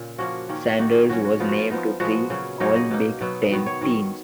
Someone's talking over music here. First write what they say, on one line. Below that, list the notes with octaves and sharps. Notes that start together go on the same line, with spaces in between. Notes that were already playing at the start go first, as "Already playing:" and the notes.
Sanders was named to three All-Big Ten teams.
Already playing: A#2 C#3
F3 A#3 C#4 F#4
D#3 A#3 C#4
D#3 A#3 D#4 F#4
G#4
C#3 F#3 C#4 F#4
F#4
F3 B3 D#4 F4
F#4
F4
F3 B3 D#4
A#2 F3 G#3 B3 F#4
C#3 F#3 C#4
C#3 F#3 A#3 D#4 C#5
D#5
B2 A#3 D#4
B2 F#3 B3
D#3 F#3 B3
C#5
D#3 F#3 C#4